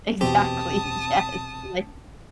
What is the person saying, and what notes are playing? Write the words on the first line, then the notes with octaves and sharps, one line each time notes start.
Exactly, yes, like
E2 B2 C4 G4 A5 D#6